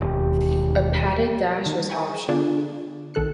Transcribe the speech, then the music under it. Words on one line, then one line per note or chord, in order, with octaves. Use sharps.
A padded dash was optional.
E1 D#2 G4
D#3 G3
E5 G5 G#5 A#5 B5 C#6
G#4
D3 B3 D4 F4 G#4 A4
B1 D#3 A4 F#6 C#7